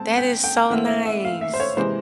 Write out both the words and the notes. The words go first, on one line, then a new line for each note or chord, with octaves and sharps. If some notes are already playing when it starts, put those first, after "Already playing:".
That is so nice.
Already playing: G#3 C4 A5
G5
G5
E3 A3 C4 F#5
E5
E5
F5
E5
C5
C#5
C3 E3 G#3 C5